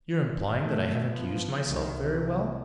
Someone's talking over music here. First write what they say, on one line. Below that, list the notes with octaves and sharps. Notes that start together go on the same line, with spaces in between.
"You're implying that I haven't used myself very well?"
B2 A3
F3 B3
C2 D#3
C3